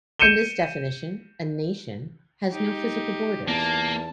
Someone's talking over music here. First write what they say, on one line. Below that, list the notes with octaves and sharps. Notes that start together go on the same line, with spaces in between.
In this definition, a "nation" has no physical borders.
G6 C#7 D#7 E7 G7
D#4 G4
E2 A#3 A5